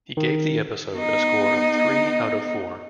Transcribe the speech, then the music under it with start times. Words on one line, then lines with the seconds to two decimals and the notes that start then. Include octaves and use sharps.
He gave the episode a score of three out of four.
0.17 D#3
0.96 B3 D#4